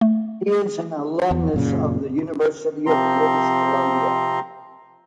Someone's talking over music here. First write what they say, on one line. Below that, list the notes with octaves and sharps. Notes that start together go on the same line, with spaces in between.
He is an alumnus of the University of British Columbia.
A3
E2
F#2 A#2 C#3
C3 F3 C4 A#5 C6